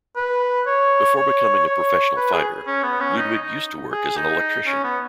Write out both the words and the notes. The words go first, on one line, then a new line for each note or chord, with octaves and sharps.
Before becoming a professional fighter, Ludwig used to work as an electrician.
B4
C#5
C#5
C#5
B4
G#4
C#4
B3
C#4
D#4
D#4
G#4
D#4
C#4
B3